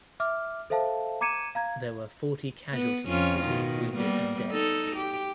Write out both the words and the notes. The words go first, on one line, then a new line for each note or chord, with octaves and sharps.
There were forty casualties between wounded and dead.
E5 D6 F6
A4 C5 E5 F5 A5
A#5 D6 G#6 C#7 D#7 E7
F5 A#5 G#6
B3
F2 C#4 F4
B2 D#3
G3 A#3 B3
D#4 A4
G4